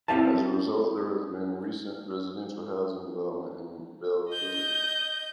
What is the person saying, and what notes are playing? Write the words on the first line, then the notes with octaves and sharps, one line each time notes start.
As a result, there has been recent residential housing development in Belgooly.
C4 E4 G4 E5 F5 A5
D#5 G6